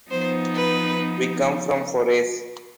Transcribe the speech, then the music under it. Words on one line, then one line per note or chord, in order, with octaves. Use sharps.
We come from Forès.
F3 B3 D#4 C5
B4